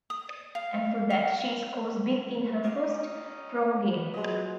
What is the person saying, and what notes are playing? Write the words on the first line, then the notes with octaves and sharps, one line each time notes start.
And for that, she scores big in her first pro game.
D#6
F5
F5
G4 D#5 F5 G#5
C#4 D#4
B3
A#2 F#3 G#3 D#5